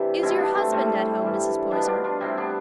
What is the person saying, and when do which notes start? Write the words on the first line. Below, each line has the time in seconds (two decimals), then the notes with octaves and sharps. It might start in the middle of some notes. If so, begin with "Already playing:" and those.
"Is your husband at home, Mrs. Poyser?"
Already playing: C3 E3 D4 G4
0.23 B2 G3 C4 E4
0.39 B3 D4
0.55 A3 C4
0.72 A2 G3 A3 C4
1.22 G2 E3 G3
1.71 B2 G3 B3 D4
1.87 D4 F4
2.04 D4 F4
2.20 C3 G3 C4 E4
2.37 B3 D4